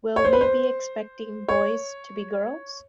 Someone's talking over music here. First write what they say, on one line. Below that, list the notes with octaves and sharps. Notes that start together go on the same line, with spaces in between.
Will we be expecting boys to be girls?
C#5
C5
B4
C5
C#5